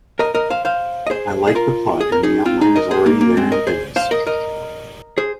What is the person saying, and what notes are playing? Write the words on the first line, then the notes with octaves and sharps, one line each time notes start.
I like the plot and the outline is already there in Venice.
A#4 D#5
A#4 D#5
C5 F5
C5 F5
D#5
G#4 C5
G#4
F4 A#4
G#4
A#4
D#4 G#4
C4 F4
D#4 G#4
A#4 D#5
G#4 C5
A#3 D#4
A#3
G#3 C4
A#4 D#5
G#4 C5
C5 F5
A#4 D#5
A#4 D#5
G#4 C5